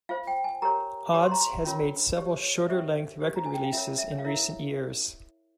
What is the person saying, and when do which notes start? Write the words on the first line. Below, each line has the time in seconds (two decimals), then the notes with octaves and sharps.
Odds has made several shorter-length record releases in recent years.
0.09 F4 C5 F5
0.27 G5
0.44 G#5
0.62 G4 A#4 C#5 A#5
1.13 G4 C#5 C#6
1.23 C6
1.31 A#5
1.40 C6
1.65 C#4 F4 A#4 C#5
2.17 G4 C#5
2.42 C#5
2.69 C#4 G4 C5 E5
3.20 G4 C5
3.36 A#5
3.46 G#5
3.54 G5
3.63 F5
3.72 F4 A#4 C#5 E5
3.98 E5
4.12 C#5
4.18 F5
4.24 E4 A#4 C#5 E5